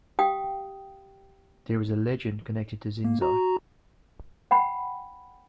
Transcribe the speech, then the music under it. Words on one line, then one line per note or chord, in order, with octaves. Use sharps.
There is a legend connected to Xinzo.
G4 F5 G5 D#6
A#3
F#4 A#5
F#5 G5 B5